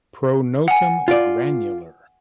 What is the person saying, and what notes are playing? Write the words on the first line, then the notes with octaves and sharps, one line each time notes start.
Pronotum granular.
F#5 G#5
F4 D5